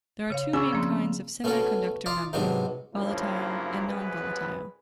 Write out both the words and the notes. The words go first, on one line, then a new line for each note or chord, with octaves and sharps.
There are two main kinds of semiconductor memory, volatile and non-volatile.
C#3 C#5 F5
C#3 D5 G#5 C#6 E6
F3 A#3 C4
A3 B3 C#4 F#4 A4
F4 D5 D#5 A#5 C6
G#2 C3 F#3 B3 D4 D#4
G2 C#3 F3 F#3 A#3 E4
C2 F#2 G#4 B4